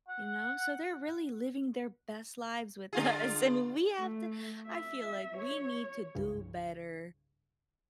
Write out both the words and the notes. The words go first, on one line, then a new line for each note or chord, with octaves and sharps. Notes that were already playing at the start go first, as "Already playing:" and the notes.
You know, so they're really living their best lives with us, and we have to I feel like we need to do better
F#5
D3 F4 G#4
A3
E5
C#5
C2 G2 C#3